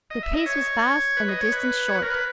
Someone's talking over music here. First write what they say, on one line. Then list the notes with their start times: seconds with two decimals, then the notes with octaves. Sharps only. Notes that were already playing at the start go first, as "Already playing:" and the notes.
The pace was fast and the distance short.
0.10 D#5
0.23 E5
0.34 D#5
0.46 C#5
1.17 B4
1.28 D#5
1.41 C#5
1.52 B4
1.88 C#5
1.95 B4
2.02 A#4
2.10 B4